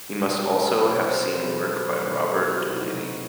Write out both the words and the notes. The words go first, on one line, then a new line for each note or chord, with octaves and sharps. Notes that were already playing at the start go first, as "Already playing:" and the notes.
He must also have seen work by Robert Delaunay.
G4
B2 F#4
G4
F#3 B3 B4
C5
B2 B4
C5
F#3 B3
B4
B2 A4
A4
B4
F#3 B3 C5
B4
B2 A4
A4
G4
F#3 B3 E4
F#4
C3 D#4
F#3 B3